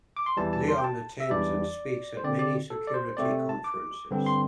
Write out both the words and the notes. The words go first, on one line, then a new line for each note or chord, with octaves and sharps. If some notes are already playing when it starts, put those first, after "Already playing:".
Lyon attends and speaks at many security conferences.
D6
C6
E2 E3 G3 A5
A5
C6
G5
A5
E5
E2 E3 G3 D4 D5
C5
D3 C4 D5
D5
A4
D5
C5
C3 A3 C4 D5
A5
D6
G2 D3 C4
C6